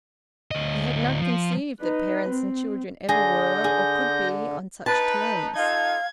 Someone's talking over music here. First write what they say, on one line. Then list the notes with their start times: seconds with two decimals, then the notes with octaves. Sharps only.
He had not conceived that parents and children ever were or could be on such terms.
0.51 D2 D#5
1.21 F3
1.81 D#4 B4
2.29 C4
3.09 D3 G#4 G6 A#6
3.64 G#4
4.86 D#4 B4 A5
5.56 D#4 F4 A4 F5 G#6